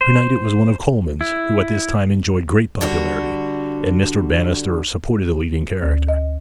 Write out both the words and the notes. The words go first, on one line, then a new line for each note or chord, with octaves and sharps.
To-night it was one of Colman's, who at this time enjoyed great popularity, and Mr. Bannister supported the leading character.
C5
E4
D3 G3 F#4
D2
D#5